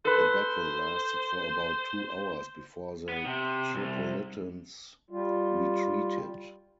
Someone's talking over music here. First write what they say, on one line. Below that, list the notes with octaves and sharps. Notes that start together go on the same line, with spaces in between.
The battle lasted for about two hours before the Tripolitans retreated.
A4 B4 C5
B3
C3
C2
G3 F4